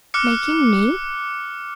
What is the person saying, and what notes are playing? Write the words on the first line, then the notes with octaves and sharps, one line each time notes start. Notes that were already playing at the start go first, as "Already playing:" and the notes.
Making me?
D6 F6 F#6 C#7